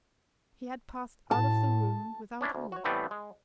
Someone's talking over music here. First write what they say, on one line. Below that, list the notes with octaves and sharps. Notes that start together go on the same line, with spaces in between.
He had passed out of the room without a look!
A2 A5
C#4 D4 E4
D2
F#4 C#5
A2 E3 G3 A3 B3 C4
G#3